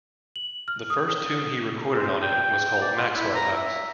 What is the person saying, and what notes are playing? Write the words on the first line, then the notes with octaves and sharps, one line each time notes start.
The first tune he recorded on it was called Maxwell House.
F#7
F6
D#6
C5
G5
D5
F4
E4
A#5
E5